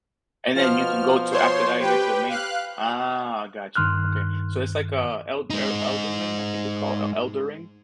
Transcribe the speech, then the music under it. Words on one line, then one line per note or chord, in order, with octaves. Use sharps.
And then you can go to after that you get to a main Ah, gotcha, okay. So, it's, like, uh, El El Elden Ring, I think it's called El Elden Ring?
B2 F3 F6
C5 C#5 C6
G4 B4 G5
F5 F#6
G2 D#3 C6 F6 F#6
G#3 D#4